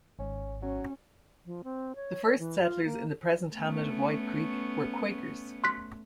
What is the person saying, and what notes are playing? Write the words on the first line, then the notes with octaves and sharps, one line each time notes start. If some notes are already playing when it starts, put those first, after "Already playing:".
The first settlers in the present hamlet of White Creek were Quakers.
G#1 G#2 C#4
F#3 C#4
F3
C4
C#5
C#5
E3
F4
A#3
A3 B3 C#4
C6 F#6 B6